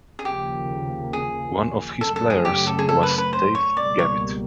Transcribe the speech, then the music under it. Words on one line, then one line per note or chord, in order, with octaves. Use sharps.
One of his players was Dave Gavitt.
G#4
D#2 C#3 F3 A#3 G4
G#4
F#2 C#3 F#3 A3 A4
A4
G#4
G4
A4
G#4
A4
B4
B4
C5
C#5
C#2 B2 G3 A#3 D5
C#5